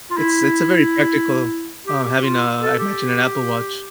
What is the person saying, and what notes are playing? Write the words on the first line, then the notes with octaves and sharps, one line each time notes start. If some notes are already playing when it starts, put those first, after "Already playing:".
It's it's a very practical um, having a, I imagine, an Apple Watch.
F4
E4
G4
G4
F4
A4
G4